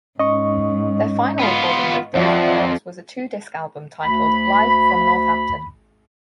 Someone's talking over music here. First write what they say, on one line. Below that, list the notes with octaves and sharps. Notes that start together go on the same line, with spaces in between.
Their final recording with David Nields was a two-disc album titled "Live From Northampton".
G#2 C#4 D#5 C#6
B3 F4
F2 F3 D5 E5 F#5
D2 B5